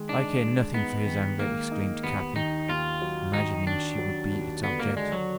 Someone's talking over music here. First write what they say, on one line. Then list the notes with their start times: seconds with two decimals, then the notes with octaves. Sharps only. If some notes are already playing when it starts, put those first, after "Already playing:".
'I care nothing for his anger,' exclaimed Cathy, imagining she would be its object.
Already playing: D#3 G#3
0.09 D4 D#4
0.41 G#3
0.74 B3 D#4
1.06 D#3
1.39 G#3 A#3
1.71 D#4
2.04 D#2 B3
2.36 D#3 D#4
2.69 D#2 F4
3.02 F#3
3.33 D#3 D#4
3.66 D#3 D4
3.98 F#3
4.31 D#2
4.64 D3 B3
4.80 A#3
4.96 G#3 D4
5.12 F#3